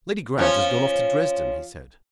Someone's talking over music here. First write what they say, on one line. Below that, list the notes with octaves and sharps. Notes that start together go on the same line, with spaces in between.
"Lady Grant has gone off to Dresden," he said.
F3 C#4